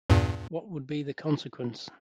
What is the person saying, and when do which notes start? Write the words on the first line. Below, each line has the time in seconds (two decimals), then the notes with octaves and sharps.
What would be the consequence?
0.10 E2 G2 A#2